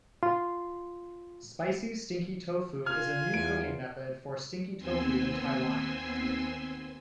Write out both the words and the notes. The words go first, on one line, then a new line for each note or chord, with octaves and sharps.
Spicy stinky tofu is a new cooking method for stinky tofu in Taiwan.
F4 C6
F4 G#5 F6
E2 D7
D#2 B3 C4 G#5 C6 E6